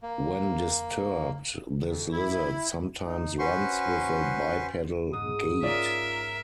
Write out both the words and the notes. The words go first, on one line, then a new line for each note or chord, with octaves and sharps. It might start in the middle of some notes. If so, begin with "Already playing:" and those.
When disturbed this lizard sometimes runs with a bipedal gait.
A#3
F2
E4
D#4
C#4 F#4 B4 C5 C6 C#6
G#2 D#6
C#4 F4 A#4 D5 E5